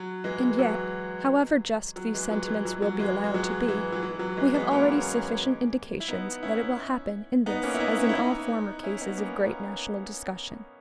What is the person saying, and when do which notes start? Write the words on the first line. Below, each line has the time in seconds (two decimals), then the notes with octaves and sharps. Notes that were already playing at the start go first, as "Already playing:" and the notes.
And yet, however just these sentiments will be allowed to be, we have already sufficient indications that it will happen in this as in all former cases of great national discussion.
Already playing: F#3
0.24 E3 G#3
0.59 F#3
1.96 F#3
2.14 E3 G#3
2.31 F#3
2.48 E3
2.65 F#3
2.82 F#3
3.00 E3 G#3
3.24 G#3
3.34 F#3
3.68 E3
3.92 F#3
4.03 E3
4.19 F#3
4.37 E3 G#3
4.54 G#3 B3
4.65 B3
4.71 A#3 C#4
6.00 E4
6.09 B3 D#4
6.43 C#4 E4
7.46 B3 D#4
7.63 A#3 C#4
7.74 E4
7.80 B3 D#4
7.97 C#4 E4
8.09 E4
8.15 B3 D#4
8.83 C#4 E4
9.01 B3 D#4
9.18 A#3 C#4